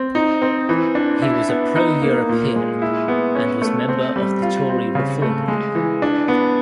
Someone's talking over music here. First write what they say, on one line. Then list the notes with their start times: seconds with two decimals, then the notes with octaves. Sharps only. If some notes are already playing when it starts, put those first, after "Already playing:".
He was a pro-European, and was member of the Tory Reform Group.
Already playing: C4
0.15 D#4
0.42 C4
0.69 E3
0.95 D4
1.22 E4
1.49 B3
1.75 D#4
2.02 A#3
2.29 A#2
2.56 G#3
2.82 E4
3.08 B3
3.35 C#4
3.62 A3
3.89 C4
4.16 G3
4.42 F4
4.69 C4
4.95 C#3
5.22 A3
5.48 G#3
5.75 E3
6.02 D4
6.28 B3